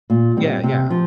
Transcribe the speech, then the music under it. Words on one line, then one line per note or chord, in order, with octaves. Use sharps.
Yeah, yeah.
A#2
G3 C4
C3
F3